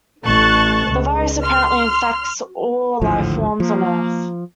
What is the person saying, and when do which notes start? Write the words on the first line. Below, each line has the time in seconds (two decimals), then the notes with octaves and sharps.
The virus apparently infects all life forms on earth.
0.25 A1 A3 A5 C#6 F#6 A6
0.87 C#2
1.43 C6 F6
3.01 G#1 D2 A2 D3 F3
3.60 F3 A#3